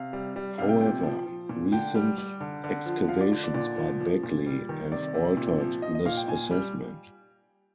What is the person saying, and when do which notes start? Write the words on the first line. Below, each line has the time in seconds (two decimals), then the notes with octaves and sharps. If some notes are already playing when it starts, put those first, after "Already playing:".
However, recent excavations by Begley have altered this assessment.
Already playing: C3 F5
0.13 G3
0.36 G3
0.58 C3 F5
0.69 G5
0.81 A#2 G5
1.03 F3
1.26 F3
1.49 A#2
1.72 D3 G5
1.95 G3
2.18 G3
2.40 D3
2.64 D3
2.86 F3
3.09 F3 F5
3.21 D5
3.32 D3 D5
3.44 D5
3.54 A#2 D5
3.77 F3
4.00 F3
4.23 A#2
4.47 G3
4.69 D#3
4.91 C3 D5
5.14 C3
5.37 A#2
5.60 F3
5.82 F3 D#5
5.95 D#5
6.06 A#2 F5
6.17 G5
6.28 A#2 G#5
6.51 G3